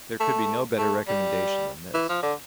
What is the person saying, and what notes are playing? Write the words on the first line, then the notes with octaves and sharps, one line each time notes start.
There could be no better recommendation than this.
A3
A3
G3
E3
F3
D3